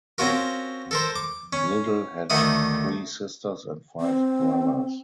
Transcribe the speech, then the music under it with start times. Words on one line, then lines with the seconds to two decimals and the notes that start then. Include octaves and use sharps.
Little had three sisters and five brothers.
0.18 C4 C#4 F4 F#4 A#4
0.91 A4 A#4 C5
1.16 D6
1.53 C#4
2.30 D2 D#3 A3 F#5 D#6
4.00 C4